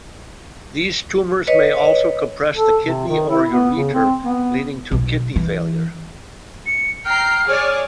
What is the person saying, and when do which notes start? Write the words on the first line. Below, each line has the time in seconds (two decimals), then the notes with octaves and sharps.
These tumors may also compress the kidney or ureter leading to kidney failure.
1.47 B4 C#5 D#5
2.54 A4
2.83 C3
3.08 D#3
3.29 E4
3.50 B3
3.76 C#3
3.93 C4
4.25 B3
4.92 B1
5.36 E3
6.66 C#7
7.05 G5 A#5 F6 C7
7.46 G#4 C#5 D5